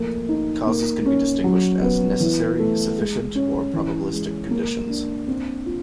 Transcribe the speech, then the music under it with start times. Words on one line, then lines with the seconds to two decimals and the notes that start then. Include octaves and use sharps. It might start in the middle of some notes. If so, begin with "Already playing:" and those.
Causes can be distinguished as necessary, sufficient or probabilistic conditions.
Already playing: F3 A3 A#3
0.29 D#4
0.67 A#3
1.06 C#4
1.44 F#3
1.82 B3
2.20 E3
2.59 A3
2.97 G#3
3.35 C#4
3.74 E3
4.13 G#3
4.51 A#3
4.89 D4
5.28 C4
5.66 F4